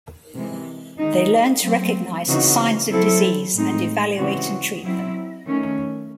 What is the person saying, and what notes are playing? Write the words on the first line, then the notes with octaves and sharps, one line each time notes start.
They learn to recognize signs of disease and evaluate and treat them.
C3 E3 G#3
D#3 G#3 D#4
F#3 A3 C4
C#3 E3 C4 D#4 F#4
F#3 C4 E4 A4
A2 G#3 C4 D#4
C#3 E3 G#3 C4 F#4
F#3 C4 E4
D#3 A3 C#4